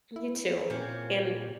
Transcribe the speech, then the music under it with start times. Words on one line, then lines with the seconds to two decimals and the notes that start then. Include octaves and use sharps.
You too. And,
0.16 E4
0.70 A#2 A#3 C4 C#4